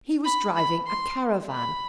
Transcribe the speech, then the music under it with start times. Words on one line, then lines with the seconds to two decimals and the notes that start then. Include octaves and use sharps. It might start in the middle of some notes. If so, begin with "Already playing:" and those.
He was driving a caravan.
0.25 B5
0.56 B5
0.88 C6
1.51 B5